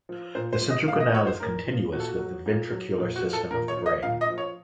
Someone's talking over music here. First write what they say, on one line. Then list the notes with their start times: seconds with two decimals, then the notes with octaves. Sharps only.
The central canal is continuous with the ventricular system of the brain.
0.09 F3
0.35 A#2 C5
0.53 C5
0.61 F3
0.70 D#5
0.88 A2 F5
1.00 D#5
1.14 F3 C#5
1.27 C5
1.40 A2 A#4
1.67 F3
1.92 A#2 F#4
2.00 A4
2.07 F#4
2.19 F#3
2.46 A#2
2.72 F#3
2.98 A#2
3.16 F#4
3.24 F3
3.33 A4
3.51 A#2 A#4
3.68 C#5
3.77 F3
3.86 D#5
4.03 A#2 F5
4.21 D#5
4.30 F3
4.38 C#5